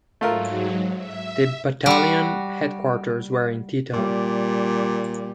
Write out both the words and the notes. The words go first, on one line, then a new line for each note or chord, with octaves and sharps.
The battalion headquarters were in Titel.
G#2 F#3 A3 F4 A#4
E5
G3 F#4
A#2 G3